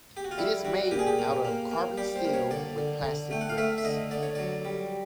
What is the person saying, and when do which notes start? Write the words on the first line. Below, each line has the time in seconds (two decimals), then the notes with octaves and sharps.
It is made out of carbon steel with plastic grips.
0.17 G4
0.24 F#4
0.31 F4
0.38 G3 E4
0.65 G3 F#4
0.91 A#2 G4
0.99 G#4
1.07 G4
1.19 A#3
1.45 A#3
1.71 A#3
1.97 G3 G4
2.16 C5
2.25 A#3
2.34 C#5
2.51 D3 D5
2.78 D3
3.04 D3
3.31 A3 G5
3.41 F#5
3.49 F5
3.58 A3 E5
3.78 E5
3.85 D3 D#5
4.11 D3 D5
4.23 C#5
4.35 F#3 D5
4.65 G3